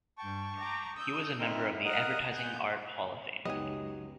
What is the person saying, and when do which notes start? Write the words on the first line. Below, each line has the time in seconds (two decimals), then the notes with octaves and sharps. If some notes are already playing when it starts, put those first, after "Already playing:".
He was a member of the Advertising Art Hall of Fame.
0.18 G2 G5 A5 C#6
0.57 G5 A#5 D6
0.94 D#6 E6 G6
1.39 D3 C4 D#4 E4 A#4
1.85 A#4 D#5 F5 F#5 D#6
2.30 B3 G#4 F#5 G6
3.45 C#2 F#2 F#3 B3 D#4 G4 D#5 G#5